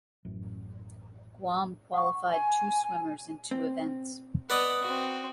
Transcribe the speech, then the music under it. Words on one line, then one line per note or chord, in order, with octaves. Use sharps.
Guam qualified two swimmers in two events.
A1 F#2
F#5 C#6
G#5
C4
B3 B4 D5 D#5 F#5
C4 F#4